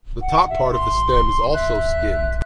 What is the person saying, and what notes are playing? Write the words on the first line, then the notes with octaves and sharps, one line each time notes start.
The top part of the stem is also skinned.
F#5
E5
C6
E5 F#6